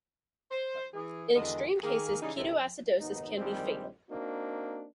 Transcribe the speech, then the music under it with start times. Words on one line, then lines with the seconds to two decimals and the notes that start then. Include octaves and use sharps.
In extreme cases ketoacidosis can be fatal.
0.51 C5
0.94 E3 G#4
1.35 E2 D3 D#3 G#3 F#4 D#5
1.82 D#3 A#3 G#4
2.22 C#3 E3 G3 D#4
2.36 D2 A2 C3 D#3 E4
2.98 G#1 D#2 B3 D#4
3.36 A#1 D#3 G3 G#3 C4
4.08 A#3 C4 D4 D#4 F#4